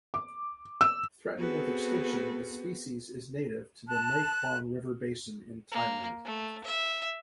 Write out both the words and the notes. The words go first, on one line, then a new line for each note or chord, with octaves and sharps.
Threatened with extinction, the species is native to the Mae Klong river basin in Thailand.
D6
E6
B3 C4 F#4 G#4 A4 B4
A5 F#6
A#3
A3
E5